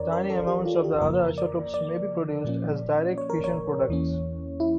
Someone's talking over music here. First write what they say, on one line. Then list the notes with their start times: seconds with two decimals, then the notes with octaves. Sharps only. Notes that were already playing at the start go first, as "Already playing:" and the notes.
Tiny amounts of the other isotopes may be produced as direct fission products.
Already playing: F2 E3 C#4 A#4 C#5 D5
0.13 A#4
0.30 A4
0.47 G4
0.65 F4
0.84 G4
1.01 F2 C#3 F3 A#3 A#4
1.38 D5
1.74 D5
2.45 A#2 F3 A#3 C#4
3.18 C#5
3.30 A#4
3.44 C#5
3.89 E2 E3 A#3 C#4
4.60 E4